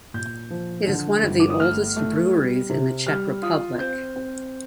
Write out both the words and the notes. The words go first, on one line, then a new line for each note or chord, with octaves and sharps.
It is one of the oldest breweries in the Czech Republic.
A#2 G6
F3
D3
G1
D6
D#6
A3 F6
A3
G3
C3
G3 F6
F4 D#6
C4 G6
C4